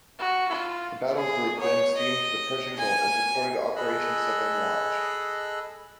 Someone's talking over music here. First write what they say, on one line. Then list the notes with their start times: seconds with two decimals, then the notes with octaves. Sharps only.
The battle group then steamed to the Persian Gulf and supported Operation Southern Watch.
0.19 F#4
0.49 F4
1.17 G#4
1.60 C#5
1.96 D#5
2.78 G#5
3.76 G#4 A4 D#5 B5 E6 F#6